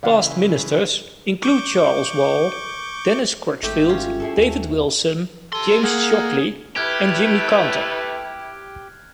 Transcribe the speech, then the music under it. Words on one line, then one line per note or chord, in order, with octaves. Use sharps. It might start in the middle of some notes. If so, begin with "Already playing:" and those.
Past Ministers include Charles Wall, Dennis Crutchfield, David Wilson, James Shockley and Jimmy Canter.
C#3 E3 D5 F5 F#5
C#6 D6 G6
G#1 A3 G4
C#4 F4
E4 G#4 A4
D#2
G4 A4 C6
A#3 G#4 A#4 F#5
A3 E4 G4 B4 F6 F#6 G#6